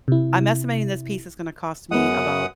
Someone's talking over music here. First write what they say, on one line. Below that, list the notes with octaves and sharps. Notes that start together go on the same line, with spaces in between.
I'm estimating this piece is gonna cost me about"
C3 E4
F#2 G#3 B3 F#5 D#6